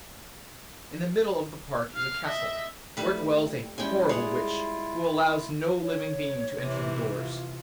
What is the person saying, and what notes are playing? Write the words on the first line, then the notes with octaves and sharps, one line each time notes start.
In the middle of the park is a castle, where dwells a horrible witch who allows no living being to enter the doors.
F5 F6
D#5 E5
G3 A3 B4
G3 G#3 C#4 E4 F4 G5 G#5
G#4 C#5 F#5
C#5
C3 E3
F4